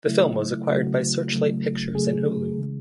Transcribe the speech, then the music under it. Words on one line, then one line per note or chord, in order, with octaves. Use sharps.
The film was acquired by Searchlight Pictures and Hulu.
C#3 F#3 A3 E4
C#3 F#3 A3 F#4
C#3 F#3 A3
C#3 F#3 A3 G#4
C#3 E3 G#3